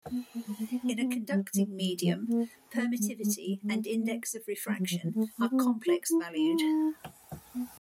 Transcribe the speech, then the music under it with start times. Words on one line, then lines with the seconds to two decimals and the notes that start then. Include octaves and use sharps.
In a conducting medium, permittivity and index of refraction are complex-valued.
0.11 B3
0.34 A#3
0.47 G#3
0.58 A3
0.71 B3
0.83 B3
0.99 C4
1.06 B3
1.31 G3
1.54 G3
1.79 F#3
2.02 F3
2.27 A#3
2.74 A#3
2.98 G#3
3.22 G#3
3.46 G3
3.63 G#3
3.71 A3
3.95 A#3
4.67 G#3
4.78 F#3
4.90 F3
5.02 E3
5.15 A3
5.38 A#3
5.51 C4
5.63 B3
5.86 F4
6.10 E4
6.35 D#4
6.47 E4
6.59 D#4
7.54 B3